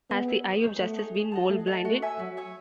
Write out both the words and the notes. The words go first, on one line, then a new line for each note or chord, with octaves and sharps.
Has the eye of Justice been mole-blinded?
B3 G#4
B4 E5 G#5
B3
D#4 G#4 C#5
A3 B3
D#4 G#4 C#5
G#4
D#5 F#5 A5
A3 G#4
D#5 F#5 A5
A3 F#4
C#5 E5 G#5
F#3 F#4
C#5 E5 G#5